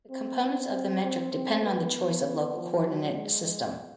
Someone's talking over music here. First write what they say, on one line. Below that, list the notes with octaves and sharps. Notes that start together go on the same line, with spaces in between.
The components of the metric depend on the choice of local coordinate system.
C4
C4
C4
C4
B3
F3
F#3
G#3